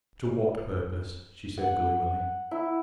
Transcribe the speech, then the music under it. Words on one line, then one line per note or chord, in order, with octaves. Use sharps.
"To what purpose?" she said gloomily.
F#5
E4